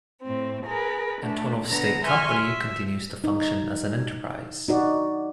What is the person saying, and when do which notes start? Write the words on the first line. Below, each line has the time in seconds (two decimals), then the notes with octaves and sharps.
Antonov State Company continues to function as an enterprise.
0.21 A2 C4
0.65 G#4 A#4 B4
1.21 A3 D4
1.67 D3 B3 A#5 A#6
2.03 E5 G#5 C6 C#6 F6
2.40 E5
3.24 D#4
4.68 D#4 F#4 D5